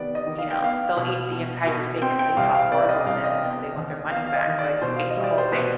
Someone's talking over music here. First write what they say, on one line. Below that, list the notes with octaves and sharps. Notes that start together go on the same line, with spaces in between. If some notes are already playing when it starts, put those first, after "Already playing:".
you know, they'll eat the entire steak and tell you how horrible it is and how they want their money back, but you ate the whole thing.
Already playing: C3 D#3 B3 D5
D#5
D#3
F5
G5
B3 F5
B2
B2
B2
C4 G5
G5
C2 F5
F5
C3 D5
D#5
C2 F5
D#5
B3
D#2
B3 F5
F5
D#5
D#3
D5
B2 C5
F5
D#5
G3
D5
C5
B2 B4